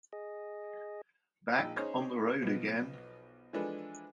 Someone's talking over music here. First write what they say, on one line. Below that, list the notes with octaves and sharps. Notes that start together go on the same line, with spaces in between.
Back on the road again!
G#4 D#5
A#1 D#4 D#5 G5 E6
C#4 D#4 G#4 C5 C#5
B1 F3 B3
E3 F3 G#3 D4 A4 B4